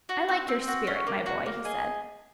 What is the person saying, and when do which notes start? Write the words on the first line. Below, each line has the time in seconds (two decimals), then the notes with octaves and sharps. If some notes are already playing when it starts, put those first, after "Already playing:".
"I like your spirit, my boy," he said.
0.09 F#4
0.29 C4
0.48 C4
0.67 F#4
0.87 C#4
1.07 A#3
1.26 F#4
1.46 A#3
1.65 G#4 D#5